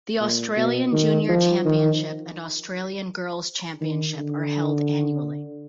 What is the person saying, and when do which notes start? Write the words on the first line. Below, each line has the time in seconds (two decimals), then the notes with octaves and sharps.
The Australian Junior Championship and Australian Girls Championship are held annually.
0.21 A#2
0.57 B2
0.93 D#3
1.29 F3
1.65 D#3
3.82 D#3
4.18 D3